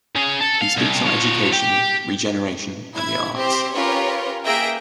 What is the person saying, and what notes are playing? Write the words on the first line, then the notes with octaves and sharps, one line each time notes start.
He speaks on education, regeneration and the arts.
C#3 G#4
A4
F5
C2
F3 C#5
G4
E4 G#6
C4 G4 C5
C#4 F4 G4 A#4 B4 C#5
A#3 G#4 E5 G5 A#6 D7